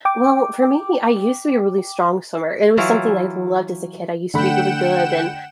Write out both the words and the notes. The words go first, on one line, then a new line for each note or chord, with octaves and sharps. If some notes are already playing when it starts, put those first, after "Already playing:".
Well, for me, I used to be a really strong swimmer, it was something I loved as a kid. I used to be really good, and,
G5 D6
E3 F#3 E4 F4
D3 A3 F#5 G5 B5 E7